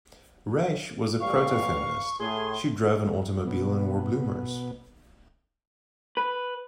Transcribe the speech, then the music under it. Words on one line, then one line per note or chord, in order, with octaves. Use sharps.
Raiche was a proto-feminist, she drove an automobile and wore bloomers.
A1 B2 G3 F5 C#6
A2 G#4 C6
B2 B3
B4